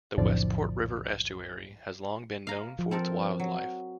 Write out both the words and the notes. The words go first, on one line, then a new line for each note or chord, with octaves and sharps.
The Westport River estuary has long been known for its wildlife.
B1 F2 A2 D3 F3 D5
F5 A#5
F3
C4 A4 A#4
F#3